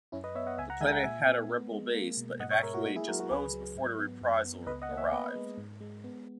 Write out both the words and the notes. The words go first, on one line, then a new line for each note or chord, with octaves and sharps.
The planet had a rebel base, but evacuated just moments before the "Reprisal" arrived.
F#2 C#4 E4
B4 D#5
B3 C#5 E5
D#5 F#5
C#2 E5 G#5
F#5 A#5
G#3 E5 G#5
F#5 A#5
A#2 E5 G#5
B3
B3
G#3
A#3
B2
G#2 D#5 F#5
C#5 E5
G#3 A#4 C#5
F#4 A#4
A#3 D#4 F#4
E4 G#4
F#3 F#4 A#4
F#4 A#4
C#2 G#4 B4
F#3
G#2
B3
F#2
B3
C#2 B4 D#5
D#5 F#5
A#3
C#5 E5
B3 B4 D#5
G#3
G#2
G#3
B3